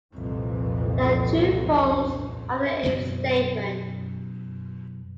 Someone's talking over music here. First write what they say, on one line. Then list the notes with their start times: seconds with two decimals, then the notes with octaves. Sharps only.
There are two forms of the if statement.
0.16 C2 F2 A#2 E3
2.83 F#2 B2 E3 G3